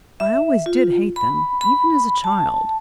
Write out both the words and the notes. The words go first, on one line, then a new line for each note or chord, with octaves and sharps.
I always did hate them, even as a child.
E5
F4
B5
B5
A5